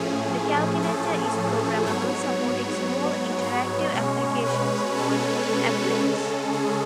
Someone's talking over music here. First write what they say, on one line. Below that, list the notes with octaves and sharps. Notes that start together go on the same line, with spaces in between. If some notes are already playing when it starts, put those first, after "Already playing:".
The calculator is programmable, supporting small, interactive applications called "aplets".
Already playing: A2 F3 A3 C#4 G#4
A4
G#2 F#3 B3 C#5
C#5
B2 G#3 C#4
B4
A4
A4
C#3 G#3 C#4
G#4